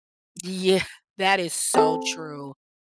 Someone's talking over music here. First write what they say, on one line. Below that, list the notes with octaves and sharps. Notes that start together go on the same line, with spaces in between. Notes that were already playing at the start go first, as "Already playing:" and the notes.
Yeah, that is so true,
C4 A4